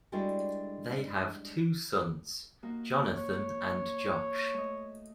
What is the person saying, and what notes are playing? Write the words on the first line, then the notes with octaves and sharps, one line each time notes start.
They have two sons, Jonathan and Josh.
G3 G#3 D4 E4 F#4 A4
A#3 D#4 F#4
C#5
A3 D#5